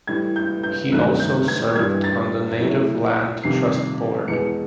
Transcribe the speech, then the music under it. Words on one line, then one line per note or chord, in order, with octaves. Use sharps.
He also served on the Native Land Trust Board.
A2 E3 G3 G#6
G6
G6
G2 D#3 F#3 A3 F#6
G6
G#6
G2 E3 G3 G#6
A6
A2 F#3 A3
F2 C3 D#3 G3 C7
E2 B2 G#3 C#7